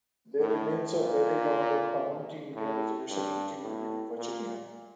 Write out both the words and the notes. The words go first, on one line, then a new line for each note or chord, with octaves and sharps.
Their remains are buried on the Pamunkey Indian Reservation in King William, Virginia.
A2
A#2
A2
G2
A2
A#2